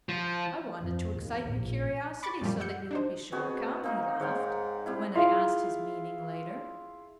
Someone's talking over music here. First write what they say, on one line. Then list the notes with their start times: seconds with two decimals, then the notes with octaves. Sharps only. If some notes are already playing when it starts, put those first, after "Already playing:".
"I wanted to excite your curiosity so that you would be sure to come," he laughed, when I asked his meaning later.
0.09 F3
0.81 F2
1.19 D#2
1.52 A#1
2.23 B5 C#6 D6 A6
2.41 F#2 A#2 F3 G3
2.60 F#5 E6 G6 C#7
2.91 D4 D#4 C5
3.32 B2 C4 F#4 G#4
3.84 A#3 C4 D#4 A#4
4.20 G#2 C#5 F5 G5
4.86 G3 C4 E4
5.16 E4 F4 G#4 F5 C6